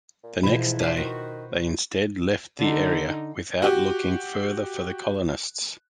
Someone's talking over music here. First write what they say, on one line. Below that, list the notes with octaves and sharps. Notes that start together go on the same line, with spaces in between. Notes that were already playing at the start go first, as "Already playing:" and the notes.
The next day, they instead left the area without looking further for the colonists.
A#2
G#2 B2 E3 F3
D4 B4 C5
D#3 F#4
D3 D#4
F#4 G4